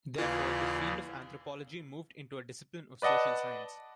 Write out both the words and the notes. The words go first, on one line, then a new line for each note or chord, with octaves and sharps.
Therefore, the field of anthropology moved into a discipline of social science.
D#2 C#3 E3 F4 D5
B4 D5 D#5 F#5 A5